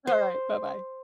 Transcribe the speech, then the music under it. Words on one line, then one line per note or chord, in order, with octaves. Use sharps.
Alright. Bye-bye.
C5